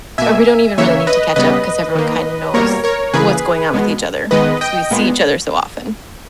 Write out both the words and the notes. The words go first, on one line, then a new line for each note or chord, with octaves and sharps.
or we don't even really need to catch up 'cause everyone kinda knows what's going on with each other 'cause we see each other so often.
B2 A#3 E5 G#5
C#3 E3 A#3 C#5 E5
B4 D#5
C#3 G3 B3 B4 D#5
D#3 A#3
B2 G3 A#3 A#4 C#5
A#4 C#5
C#3 E3 A#3 G#4 B4
B2 G#3 B3
D#3 G#3 B3 B4 D#5
D#5 G5
A#2 G#3 B3